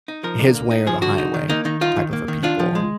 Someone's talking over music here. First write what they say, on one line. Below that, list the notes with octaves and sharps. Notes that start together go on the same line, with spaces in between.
his way or the highway, type of a people, and
D#4
F3 A#4
D3
A#3
D#4
F3 G#4
D3 F#4
D#4
D#3
A#3 D#4
D#3 D#4
D#4 F4
D#3
A#3
D#3
D4 F4
F3
G#3